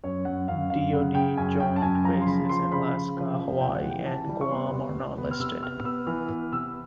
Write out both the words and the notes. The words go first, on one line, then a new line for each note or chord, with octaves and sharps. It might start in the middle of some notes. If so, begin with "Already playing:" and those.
DoD Joint Bases in Alaska, Hawaii and Guam are not listed.
F#2 C#5
F#2 F#5
F#2 F5
F#2 F5
C#3 F#5
C#3 G5
F#2 G#5
F#2 G5
A5
F#2 G#5
F3 A#5
C6
C#3 B5
F3 C6
C#3 B5
C#3
F3
F3
C3 G5
F#5
E3
G5
E3 A5
G3
C#6
B3 C6
C3
C3
B3
F6
C3 E6
B3 F6
B3 E6
E3 F6
B3
C3 E6